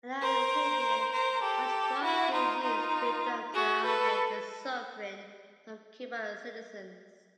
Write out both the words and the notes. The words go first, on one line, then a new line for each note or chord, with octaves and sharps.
In our opinion, much work still needs to be done to alleviate the suffering of Cuban citizens.
A#4 C5
A#4 C5
G4 A4
E4 F#4
D#4 F4
D#4 F4
F#4 G#4
A4 B4